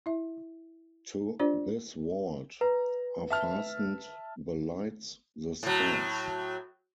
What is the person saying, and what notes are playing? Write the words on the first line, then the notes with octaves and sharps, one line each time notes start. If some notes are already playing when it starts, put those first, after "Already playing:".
To this vault are fastened the lights, the stars.
E4 E5
D4 F4 G4 C5 D5
B4 A#5
E5 A5 F6
A2 F#3